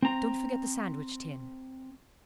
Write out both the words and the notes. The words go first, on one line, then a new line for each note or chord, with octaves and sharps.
Don't forget the sandwich-tin!
C4 A#5